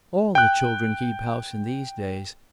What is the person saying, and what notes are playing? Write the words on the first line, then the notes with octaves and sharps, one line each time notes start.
All the children keep house in these days.
G5 F#6